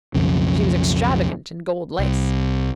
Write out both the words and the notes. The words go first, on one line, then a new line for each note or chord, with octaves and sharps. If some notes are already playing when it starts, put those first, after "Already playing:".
She was extravagant in gold lace.
B1 F2 C#3
C2